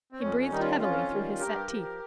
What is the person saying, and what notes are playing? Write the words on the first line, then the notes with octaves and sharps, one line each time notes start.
He breathed heavily through his set teeth.
C4
F2 C#4
C#4
D#3 G3 D#4
C#4 F4
F2 C#4 F4
D#3 G3
G2 G4 A#4
F3